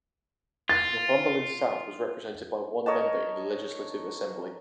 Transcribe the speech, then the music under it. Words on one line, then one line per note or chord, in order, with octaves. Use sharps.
Northumberland South was represented by one member in the Legislative Assembly.
F4 A6
A#4 C#5 D#5 A5